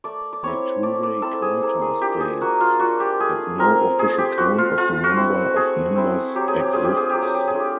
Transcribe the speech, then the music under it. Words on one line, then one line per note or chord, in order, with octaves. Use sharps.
Neturei Karta states that no official count of the number of members exists.
A3 D5
D5
C4 E4 C#5
A3 D5
D5
C4 E4 A4
G#4
A#3 A4
G#4
D4 F4 G4
G#4
A#3 F#4
F4
D4 F4 F#4
G4
A3 G#4
C4 F4 A#4
A3 G#4
G4
C4 F4 F#4
F4
A3 F4
F#4
C4 E4
A3 G#4
C4 E4
F#3 G4
G#4
G4
A3 D4 F4 G#4
G4
G#4
F#3 G4
G#4
G4
G#4
A3 D4 F4
G4